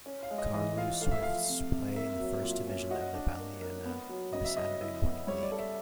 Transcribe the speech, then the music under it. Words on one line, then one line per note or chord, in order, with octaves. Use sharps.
Carnlough Swifts play in the first division of the Ballymena Saturday Morning League.
C#4
F5
G#3
D#5
E3 D#5
F4 F5
A3 F5
E5
F3 F5
C3
C3
A#3 E5
F#3
A#2
C#4
F#4 D#5
D4
A#3
A#4
B3
F#3
C#3 D#5
E5
C#3 D#5
E4
B3
G3 C#5
D5
A4
E5